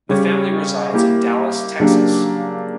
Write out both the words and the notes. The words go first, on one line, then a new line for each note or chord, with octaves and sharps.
The family resides in Dallas, Texas.
C#3 G3 C#4 G4 C#5
A#3 E4 G4
C#3 F#3 A#3 D4 G4